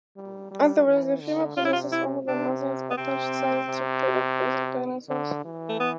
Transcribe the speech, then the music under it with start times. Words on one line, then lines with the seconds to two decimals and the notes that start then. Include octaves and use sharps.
Otherwise the femur possesses all the muscle attachment sites typical of basal dinosaurs.
0.16 G3
0.51 G3
0.87 E3
1.22 D3
1.57 C3 F4
1.65 E4
1.73 F4
1.92 E4
2.28 C3 D4
2.90 B3
2.97 C3 C4
3.67 C3
5.09 D3
5.45 E3
5.69 A3
5.80 B3